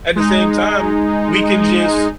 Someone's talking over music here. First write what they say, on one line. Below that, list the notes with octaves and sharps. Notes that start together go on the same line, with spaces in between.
at the same time, we can just,
G#3 D#4